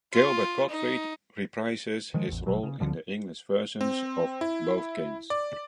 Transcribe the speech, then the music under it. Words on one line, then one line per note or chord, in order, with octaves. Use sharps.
Gilbert Gottfried reprises his role in the English versions of both games.
F4
D#4
D#3 F3 G#3
A1 E2
G#1 B2 F#3
C#3
D2 D3 F3 G3
C4
E4
D5